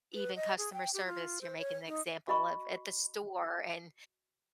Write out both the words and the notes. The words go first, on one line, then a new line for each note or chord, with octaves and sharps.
even customer service, you're making an example of at the store, and
B4
D#5
G#4
G5
G4
F4
C5
C#5
D#4
F#4 D#5 B5 C#6